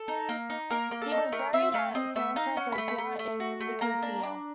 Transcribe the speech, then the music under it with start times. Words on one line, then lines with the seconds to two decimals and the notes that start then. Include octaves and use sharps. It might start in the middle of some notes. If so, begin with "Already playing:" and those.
He was buried at Santa Sophia, in Nicosia.
Already playing: A4
0.08 D#4
0.29 A#3
0.50 D#4
0.70 A#3 A#4
0.91 A#3
1.01 A4
1.11 D#4
1.32 A3 A#4
1.53 C4 E5
1.74 A3 F5
1.95 C4 D#5
2.16 A3 E5
2.36 D#4 F5
2.57 C#4 F#5
2.72 B5
2.78 A3
2.88 B5
2.98 A3
3.19 A3
3.40 F#4
3.60 A3
3.81 A#3 A#5
4.02 D4
4.23 D4